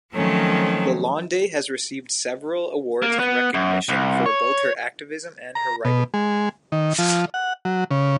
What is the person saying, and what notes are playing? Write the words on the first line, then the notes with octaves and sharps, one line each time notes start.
Lalonde has received several awards and recognition for both her activism and her writing.
D#3 F3 F#3 A3 C4 C#4
A#3
B3
F#2
C2
C#5
A#5
B2
G#3
D#3
F3
F#5
F#3
C#3